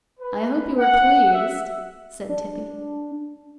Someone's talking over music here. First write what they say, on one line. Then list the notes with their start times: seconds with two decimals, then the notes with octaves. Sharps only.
"I hope you were pleased," said Tibby.
0.20 B4
0.78 F#5
1.33 E5
2.29 D4